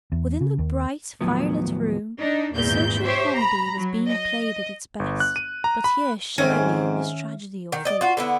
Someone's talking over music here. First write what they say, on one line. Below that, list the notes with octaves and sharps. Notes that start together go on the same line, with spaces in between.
Within the bright, fire-lit room the social comedy was being played at its best; but here surely was Tragedy--or Fate.
E2
C#3
D#2
D#2 A2 F3 F#3 B3
D4 D#4
G#1 E2 A#2 G6
G4 C5 C#5 E5
A#5 B5
F#3
D#5
G1
F#6
D#7
A#5
B5
F2 G#2 D#3 C4 C#4 E5 G#5
D#3
D5 D#5
F4 F#4
D3 B3 E4